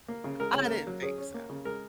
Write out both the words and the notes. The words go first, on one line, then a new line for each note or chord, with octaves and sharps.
I didn't think so.
A#3
C#3
G#3 A#4
C#3 C#5
A#4
A#3
F#3
C#4 G#4
C#4
A#3
C#3
G#3 A#4